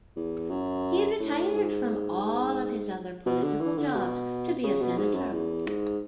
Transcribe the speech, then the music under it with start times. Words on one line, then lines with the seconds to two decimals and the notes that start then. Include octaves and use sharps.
He retired from all of his other political jobs to be a senator.
0.16 E2
0.50 F#2
1.20 A2
1.53 G#2
3.26 B2
3.43 D3
3.61 E3
3.78 D3
3.95 B2
4.64 C#3
4.81 B2
4.98 G#2
5.15 F#2
5.33 E2
5.67 G#2